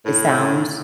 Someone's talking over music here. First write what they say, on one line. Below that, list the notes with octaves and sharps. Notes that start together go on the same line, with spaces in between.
it sounds
A2